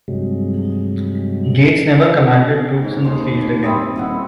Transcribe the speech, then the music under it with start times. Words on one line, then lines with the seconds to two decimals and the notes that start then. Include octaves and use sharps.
Gates never commanded troops in the field again.
0.08 G2 C3 F#3 G#3
2.81 G#2
3.04 D#2 C5 D#5
3.63 C4 B5 D#6
3.96 D#1 E4 D#5 F#5